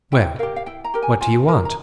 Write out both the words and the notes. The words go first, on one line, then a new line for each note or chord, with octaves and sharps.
"Well, what do you want?"
E4 G5
G4 A#4 F5
F5
E4 G5
A#5
G4 A#4
G#5
F4 G#5
A#4 A#5
A#5